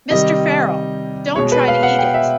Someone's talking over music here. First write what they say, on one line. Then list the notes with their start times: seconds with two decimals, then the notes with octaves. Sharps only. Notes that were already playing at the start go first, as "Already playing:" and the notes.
Mr. Farrell, don’t try to eat it.
0.10 C3 D#3 G3 D#5
1.36 B2 G#3 C#5
1.52 B4
1.68 F5
1.83 F#5
1.99 G5
2.14 E5